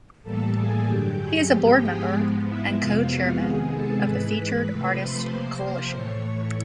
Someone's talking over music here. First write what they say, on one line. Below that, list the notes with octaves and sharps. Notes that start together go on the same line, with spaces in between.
He is a board member and co-chairman of the Featured Artists' Coalition.
A2 E3 G3 A#3 A4 A5
G#4 G#5
G2 D3 F#3 G4 G5
G#4 G#5
G#2 F3 G#3 B3 G4 G5
G#4 G#5
G#2 F3 G#3 B3
E4 E5
F2 C3 F3 G#3 B3 F4 F5
F#4 F#5
C3 D#3 G#3 B3 G#4 G#5
A4 A5
G#2 E3 G#3 B4 B5
C3 F3 A3
C5 C6
C3 F3 A#3
A2 E3 A3 C#5 C#6